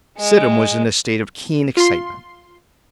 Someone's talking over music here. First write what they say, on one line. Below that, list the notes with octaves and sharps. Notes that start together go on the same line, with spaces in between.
Sidham was in a state of keen excitement.
G#3
F4 C6